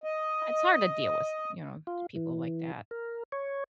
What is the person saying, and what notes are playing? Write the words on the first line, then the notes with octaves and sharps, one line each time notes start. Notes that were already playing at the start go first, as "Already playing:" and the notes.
it's hard to deal with, you know, people like that.
D#5
F4
E3
A#4
C#5